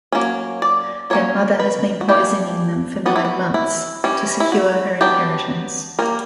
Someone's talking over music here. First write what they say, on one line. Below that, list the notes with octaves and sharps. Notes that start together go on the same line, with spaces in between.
Their mother has been poisoning them for nine months to secure her inheritance.
F#3 A#3 C#4
D5
F#3 A#3 C#4 C#5
B4
F#4
E3 A#3 D4 G4
G3 B3 D4 F#4
E4
F#4
E4
E3 G3 C#4
E4
F#4
F#3 B3 D4 G4
G3 A#3 C#4 A#4